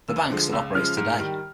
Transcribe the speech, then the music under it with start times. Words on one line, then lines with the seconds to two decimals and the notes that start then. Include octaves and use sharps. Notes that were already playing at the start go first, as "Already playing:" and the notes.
The Bank still operates today.
0.08 D#2 E6
0.30 D3 F3 G#3
0.52 C#2 E6
0.75 C#3 F3 G#3 F6
0.97 G#2
1.19 D#3 G3